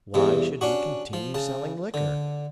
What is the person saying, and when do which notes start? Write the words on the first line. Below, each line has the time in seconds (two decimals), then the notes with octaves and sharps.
Why should he continue selling liquor?
0.14 E2 G2 C3
0.61 C#4 D4 F#4
1.13 F3
1.34 C#3 A5
1.94 D3